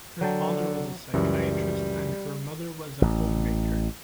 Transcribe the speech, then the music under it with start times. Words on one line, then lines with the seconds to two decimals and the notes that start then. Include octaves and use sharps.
Her father was a psychiatrist and her mother was a homemaker.
0.21 D3 F#3 G5 A5
1.14 C#2 F#2 E3 G3
3.02 A1